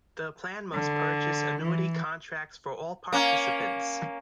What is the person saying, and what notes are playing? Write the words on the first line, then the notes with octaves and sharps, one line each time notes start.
The plan must purchase annuity contracts for all participants.
D3
E3
A#3 C#4